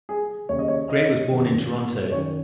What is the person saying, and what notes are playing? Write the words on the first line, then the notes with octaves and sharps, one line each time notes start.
Gray was born in Toronto.
G#4
D#2 C#3 C#5
D#5
C#5
D#5
F#2 D#3
F#2 D#3 C#5